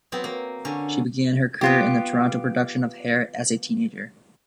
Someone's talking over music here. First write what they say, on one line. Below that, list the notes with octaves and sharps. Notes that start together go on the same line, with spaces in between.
She began her career in the Toronto production of "Hair" as a teenager.
F#3 B3 C4
A#3
D3 C#4
B3 F4 G4